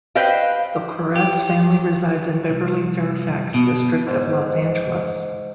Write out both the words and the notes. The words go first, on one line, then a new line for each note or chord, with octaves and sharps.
The Koretz family resides in the Beverly-Fairfax District of Los Angeles.
B4 C5 D#5 F5 G5
G4
C2
B2
G#2